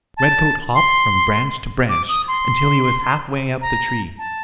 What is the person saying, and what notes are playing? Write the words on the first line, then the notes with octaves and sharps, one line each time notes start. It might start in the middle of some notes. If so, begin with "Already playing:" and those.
Redcoat hopped from branch to branch until he was halfway up the tree.
A5
C6
D6
D#6
C6
A#5
A5